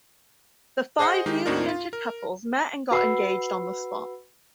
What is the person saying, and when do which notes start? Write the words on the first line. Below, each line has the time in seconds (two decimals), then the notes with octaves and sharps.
The five newly minted couples met and got engaged on the spot.
0.99 G#4 C5 D#5 F#5 C7
1.26 D#3 G#3 D#4 G4
1.46 D#2 A2 C4 D4 D#4 A#4
1.69 F4
1.93 A#4
2.91 F#4 B4 F#5 B5 E6 C7